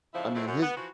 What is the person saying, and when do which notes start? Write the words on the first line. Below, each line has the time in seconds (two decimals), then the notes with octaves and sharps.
I mean, his
0.14 F2 G#2 C#3 F3 E4
0.34 F#3 G#3 A3 C4 E4
0.47 F#2
0.62 B3
0.76 E3 F3 F#4